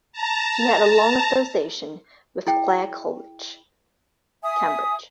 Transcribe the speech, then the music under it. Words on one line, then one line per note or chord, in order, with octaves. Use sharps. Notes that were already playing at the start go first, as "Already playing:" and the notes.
He had a long association with Clare College, Cambridge.
A5 A#5
E4 G#4 G5
E5 G#5 D#6